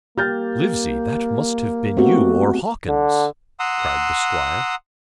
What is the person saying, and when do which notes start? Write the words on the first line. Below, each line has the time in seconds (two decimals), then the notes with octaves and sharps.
"Livesey, that must have been you or Hawkins," cried the squire.
0.18 A#3 G4 F6 G6 A6
1.97 A3 B3 C4 F#4 G4
2.88 D3
3.60 F#5 A#5 C6 D#6 E6